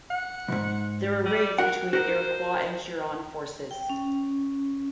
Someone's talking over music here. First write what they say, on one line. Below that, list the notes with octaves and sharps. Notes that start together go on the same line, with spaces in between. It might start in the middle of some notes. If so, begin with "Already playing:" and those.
There were raids between Iroquois and Huron forces.
F#5
C2 G#2
G3
F#4 A#4 F#5
F#4 A#4 C5
G5
C#4